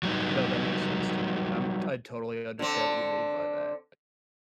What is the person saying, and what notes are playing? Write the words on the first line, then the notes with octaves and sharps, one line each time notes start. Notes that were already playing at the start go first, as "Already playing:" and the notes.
No, that makes sense to me. I'm I totally understand what you mean by that.
F#3 G3 D#4
D3 C4